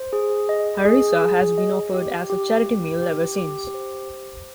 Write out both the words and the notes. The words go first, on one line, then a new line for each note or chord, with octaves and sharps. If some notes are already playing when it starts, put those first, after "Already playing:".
"Harissa" has been offered as a charity meal ever since.
Already playing: C5
G#4
D#5
G#4
G#4
D#5
G4
G4
G4
G4
G4
C5